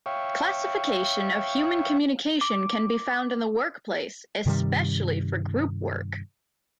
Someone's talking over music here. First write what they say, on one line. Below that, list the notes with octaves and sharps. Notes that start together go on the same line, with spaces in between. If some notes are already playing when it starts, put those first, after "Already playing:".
Classification of human communication can be found in the workplace, especially for group work.
C#5 E5 F5 G5 C#6
D6
G2 C3 D#3 G3